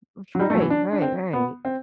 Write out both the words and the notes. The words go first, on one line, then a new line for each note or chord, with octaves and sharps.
That's right, right, right.
F#3
G3
A3
F#3
E3
D4
D4
C4
B3
C4